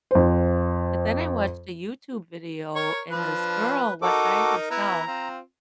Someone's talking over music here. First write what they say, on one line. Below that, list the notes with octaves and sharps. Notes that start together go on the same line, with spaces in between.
but then I watched a YouTube video, and this girl went by herself,
F2 C5
A#4 C#5 C#6
F3 D4 B4
D#4 F#4 A4 A#4 D6
B3 E4 A#5
C4 F4